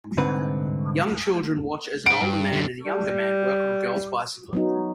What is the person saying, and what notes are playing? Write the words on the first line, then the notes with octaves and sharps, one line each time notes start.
Young children watch as an older man and a younger man work on a girls bicycle.
C2 G#2 D3 C4 D#4 B4
C5 F#5 D7
G2
F#2 D3
G3
F#3 B3 D#4